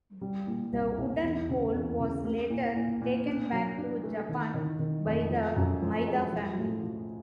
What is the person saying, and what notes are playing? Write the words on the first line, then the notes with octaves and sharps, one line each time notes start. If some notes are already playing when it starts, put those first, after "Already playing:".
The wooden pole was later taken back to Japan by the Maida family.
G3
A#2
C2
C2
E2
C#3
E2
C#3
A#3
A#2
A#2
A#2
D4
F#3
D4
A3
D#3
D#3
D#3
F2
F3
F#2
F3
G#3
F3
A2
F3